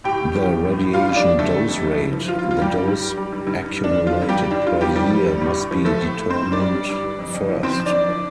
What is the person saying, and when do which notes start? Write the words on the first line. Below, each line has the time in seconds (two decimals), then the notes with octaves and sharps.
The "Radiation Dose Rate" - the dose accumulated per year-must be determined first.
0.04 A2 G4 G5
0.20 A2
0.35 F3
0.50 F3
0.65 A2
0.79 A2
0.94 G3 F4 F5
1.09 F2
1.16 D4 D5
1.24 F2
1.39 D3 A3 A4
1.54 G3
1.68 F2
1.84 G2
1.98 G2
2.13 F3
2.28 F3 F4
2.39 F4
2.43 G2
2.51 F4
2.58 G2 G3 G4
2.73 G2
2.88 G2
3.02 G3
3.17 G3
3.32 G2
3.47 G2
3.62 G2
3.77 G2
3.84 D4
3.91 F3
4.06 F3 F4
4.22 G2
4.29 G3 G4
4.36 G2
4.51 G2 D4
4.66 G2 F4
4.81 F3 G3 G4
4.96 F3 G3 G4
5.10 G2
5.26 G2
5.41 A2
5.55 A2
5.71 F3
5.85 F3 A3 A4
6.01 A2
6.14 A2
6.30 G2 C4 C5
6.45 G2
6.52 D4 D5
6.60 G3
6.75 G3
6.90 G2
7.04 G2
7.19 F2
7.34 F2
7.49 F3
7.63 F3 C4 C5
7.79 F2
7.86 D4 D5
7.94 F2
8.08 F3